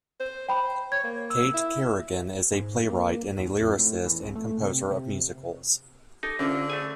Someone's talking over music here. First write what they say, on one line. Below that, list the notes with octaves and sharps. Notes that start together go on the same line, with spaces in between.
Kait Kerrigan is a playwright and a lyricist and composer of musicals.
C5
C5 G5 B5
C#5 G#6
A#3
E6
E4
G#2
A#3
D#2
F2
A2
E2
C2
A3
C3
C3
D#4 G4 A4
C2 D3 C#4 D4 F4
A3 G#4 D5 G#5